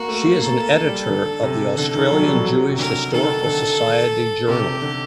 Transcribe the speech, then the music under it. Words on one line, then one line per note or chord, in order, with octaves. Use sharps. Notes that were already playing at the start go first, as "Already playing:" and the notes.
She is an editor of the "Australian Jewish Historical Society Journal".
Already playing: A#3 F#4
A3
A#3
A#3 A4
G3
D3
C3
D3 A4
D#3
F#3
G3
F#3
F#3
C3
D3 A#4
D#3 A4
D3
C3 G4
D3